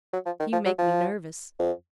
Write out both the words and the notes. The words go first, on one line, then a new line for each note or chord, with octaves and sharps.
"You make me nervous."
F#3
F3
D#3
F3
F#3
F3
F2